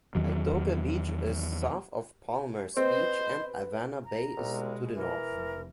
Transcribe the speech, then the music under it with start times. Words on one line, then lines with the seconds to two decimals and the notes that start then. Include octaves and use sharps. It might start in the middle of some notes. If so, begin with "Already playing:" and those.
Kaitoke Beach is south of Palmers Beach and Awana Bay is to the north.
0.15 E2 D#3 F#3
2.77 C4 B4 C5 D#5
4.05 A#5
4.37 C2 B2 G#3
4.96 E3 A#4
5.33 F1